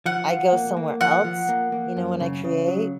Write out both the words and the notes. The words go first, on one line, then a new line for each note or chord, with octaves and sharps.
I go somewhere else, you know, when I create.
F3 F#5
F4
A#3
A#3
F3 F#5
F3
A#3
A#3
F#2
C#3
C#3
F#3